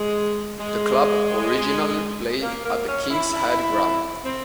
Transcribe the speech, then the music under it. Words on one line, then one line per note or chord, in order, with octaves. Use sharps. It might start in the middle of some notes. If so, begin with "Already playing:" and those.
The club originally played at the King's Head Ground.
Already playing: G#3
G#3
A#3
A#3
C#4
E4
E4
C4